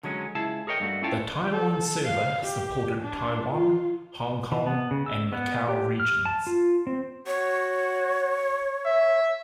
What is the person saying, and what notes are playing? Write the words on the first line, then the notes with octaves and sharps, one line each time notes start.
The Taiwan server supported Taiwan, Hong Kong and Macau regions.
D3 F#3 G#3 C#4
C#2 E4 G#4 A5
G#4 A#4 C#5 D#5 G5
G2 A3 F#4
C#4 E4 F4 C#5 G5 A5
A4
F5
G4
D4
F4
E3
B3
C#3
E6
B3
G4
F6
A5
F4
C4
F#4 C#5
E5